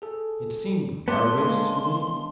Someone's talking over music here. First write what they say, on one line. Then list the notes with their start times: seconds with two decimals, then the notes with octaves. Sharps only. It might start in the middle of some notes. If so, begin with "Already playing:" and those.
It seemed barbarous to me.
0.02 G#4 A4
1.08 B3 A5 C6 D6
1.37 C#3 G#3 A#3 D4 A5